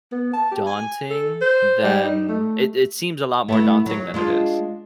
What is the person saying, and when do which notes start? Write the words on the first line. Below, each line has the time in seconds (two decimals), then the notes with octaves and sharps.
daunting than it it seems a lot more daunting than it is.
0.12 B3
0.34 A5
0.52 G4
0.67 G#5
1.10 A4
1.41 C5
1.84 G3
2.04 D#4
2.29 A3
3.49 A3 B3 E4
3.86 F#3 C#5
4.14 G#3 D4 F4